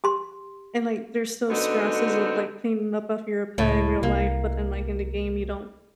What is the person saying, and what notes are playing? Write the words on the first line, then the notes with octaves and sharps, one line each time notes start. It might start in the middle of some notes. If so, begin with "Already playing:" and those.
and, like, there's still stresses of, like, cleaning up off your pet in real life. But then, like, in the game, you don't
G4 C6
D3 B3 C4 D#4 F#4
C#2 A2
C2 A#3